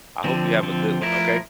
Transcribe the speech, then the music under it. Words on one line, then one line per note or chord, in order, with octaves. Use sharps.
I hope you have a good one, okay?
D3 F3 C4
D3 F3 C4
F3 A3 E4 A#4